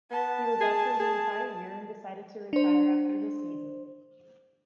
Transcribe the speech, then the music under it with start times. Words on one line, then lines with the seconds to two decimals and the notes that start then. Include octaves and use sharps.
He was out for the entire year and decided to retire after the season.
0.11 B3 A5
0.61 G#4
1.00 G#4
2.53 D4 C5